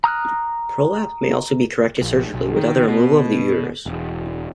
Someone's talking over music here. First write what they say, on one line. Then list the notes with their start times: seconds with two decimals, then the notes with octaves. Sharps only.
Prolapse may also be corrected surgically without removal of the uterus.
0.04 A#5 D#6 F6 F#6
2.02 A#1
2.34 B1
2.56 D#3
2.88 B2
3.86 E1